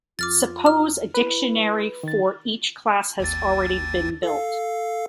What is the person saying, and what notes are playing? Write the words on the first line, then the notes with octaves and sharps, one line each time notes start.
Suppose a dictionary for each class has already been built.
F2 F4 D6 F6 A6
F6
E4 B4
D#3 A6
G#1 D#2 A6
A4 F5